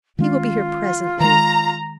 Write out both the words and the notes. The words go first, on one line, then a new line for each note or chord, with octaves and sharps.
He will be here presently.
D#3 G#3 C#4 F4
D#3 G#3 A#5